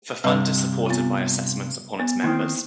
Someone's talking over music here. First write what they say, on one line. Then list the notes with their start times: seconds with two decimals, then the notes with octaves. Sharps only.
The fund is supported by assessments upon its members.
0.24 G2 C3 G3 B4 D#5
0.86 B3 F4
1.99 B3
2.24 D#3 A#3 C4 E4